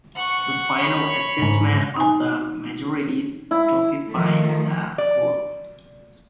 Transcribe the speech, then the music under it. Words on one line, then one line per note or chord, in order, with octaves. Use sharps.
The final assessment of the majority stupefied the group.
F#5 C#6
C#5 B5
G#2 C#3
D#4 G#5
E4
D#3 F3 A3
D5